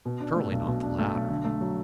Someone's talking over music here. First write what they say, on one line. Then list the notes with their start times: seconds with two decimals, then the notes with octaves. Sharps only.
Surely not the latter!
0.05 B2
0.20 D4
0.36 A3
0.51 B1
0.67 B2
0.83 D4
0.99 A3
1.14 B1
1.30 D3
1.45 A3
1.61 F#3